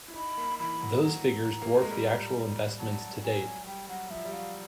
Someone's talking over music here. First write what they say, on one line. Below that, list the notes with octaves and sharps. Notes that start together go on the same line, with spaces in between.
Those figures dwarf the actual investments to date.
E4
D#4 B5
A#3
E3 B5
F#3
F#3 A#5
A#3
A3
G#3
G3
F#3 A5
F#3 G#5
G3 G5
F#3 F#5
F3 E5
G3
F#3 F5